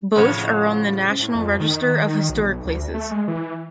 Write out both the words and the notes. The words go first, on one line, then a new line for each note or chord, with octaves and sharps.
Both are on the National Register of Historic Places.
A2 C#3 F3 F#4 C#5
A2
F2
D#3
B1
D2
A3
G#3
E3